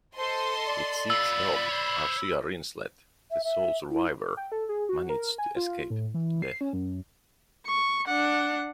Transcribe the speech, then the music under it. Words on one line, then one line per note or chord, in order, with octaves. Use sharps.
With Sieg's help, Arcia Rinslet, the sole survivor, manages to escape death.
A4 C5 D#5 C6
D5
B3 F4 B5 E6
C5 C#5
E5
E5
E4
G5
A4
G#4
F#4
A#4
G#5
F4
A2
E3
C7
C#4
F#2
C#6
D4 F#5